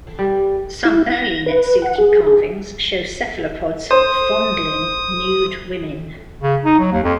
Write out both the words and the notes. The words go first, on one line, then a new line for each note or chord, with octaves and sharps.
Some early netsuke carvings show cephalopods fondling nude women.
G3
E4
A#6
B4
F#5
G#4
G#4
C5 D#6
C#3
D#4
F#3
D#2
F2